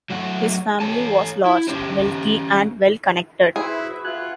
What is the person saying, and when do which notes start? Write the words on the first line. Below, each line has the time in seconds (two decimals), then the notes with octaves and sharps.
His family was large, wealthy and well-connected.
0.10 F#3 A3 F#5
0.80 A4 C#5 G#5 A5
1.46 E4
1.68 C#4 G4 C5
3.56 E4 F#4 G#4 B4 C5 E5
4.05 F4 F#5 G#5 F#6